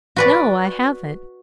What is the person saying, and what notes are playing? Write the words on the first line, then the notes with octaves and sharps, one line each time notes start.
"No, I haven't."
F#4 B4 D5